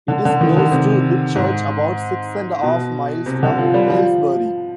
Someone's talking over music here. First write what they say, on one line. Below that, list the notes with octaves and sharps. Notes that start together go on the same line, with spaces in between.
It is close to Whitchurch, about six and a half miles from Aylesbury.
D3
D3
D#3
D3
C3
G#2
B2
C3
D3
F3
G3
F3